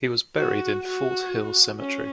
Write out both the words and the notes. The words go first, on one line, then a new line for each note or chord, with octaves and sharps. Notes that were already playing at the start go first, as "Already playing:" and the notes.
He was buried in Fort Hill Cemetery.
F#4
F#4
C#4